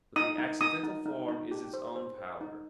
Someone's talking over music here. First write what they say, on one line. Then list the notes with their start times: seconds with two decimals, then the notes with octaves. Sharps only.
But the accidental form is its own power.
0.16 D#4 D#6
0.38 D#4
0.61 D#4 D#6
0.83 D#4
1.06 D#4
1.29 D#4
1.51 G4
1.74 C5
1.96 C5
2.18 C5
2.41 D#4